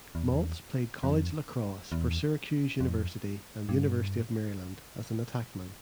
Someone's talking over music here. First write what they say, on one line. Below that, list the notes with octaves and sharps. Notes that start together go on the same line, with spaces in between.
Maltz played college lacrosse for Syracuse University and University of Maryland as an attackman.
E2
F2
E2
F2
E2
F2
G2